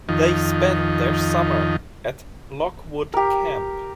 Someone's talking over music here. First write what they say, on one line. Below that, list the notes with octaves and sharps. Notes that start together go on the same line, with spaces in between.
They spent their summer at Lockwood camp.
F2 D#3
G4 A#4